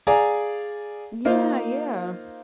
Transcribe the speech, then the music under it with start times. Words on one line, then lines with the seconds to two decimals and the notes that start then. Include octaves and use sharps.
Yeah, yeah.
0.07 G#4 D5 F5 G#5 A#5
1.25 A#3 D#4 F4 C5